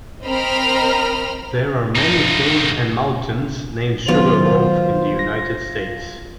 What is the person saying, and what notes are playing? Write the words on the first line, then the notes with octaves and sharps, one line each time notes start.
There are many hills and mountains named "Sugar Loaf" in the United States.
C4 A#4 C5 D#5 B5 F6
G2 D#4
D#3 F#3 B3 F4 C5
A#6